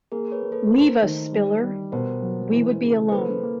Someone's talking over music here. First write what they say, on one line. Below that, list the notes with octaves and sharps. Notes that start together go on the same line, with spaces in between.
Leave us, Spiller; we would be alone.
A#3 G#4 A#4
B4 C#5
A#3
A4 B4
A3 A#4 C5
D#3
G3
G3
B2 A#4 C5
F#3
E3
C#3
C5
A#3 A4 B4
A#3